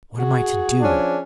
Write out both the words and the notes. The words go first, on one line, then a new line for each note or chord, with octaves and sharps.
"What am I to do?"
F#4 G#4
F3 C#4 D4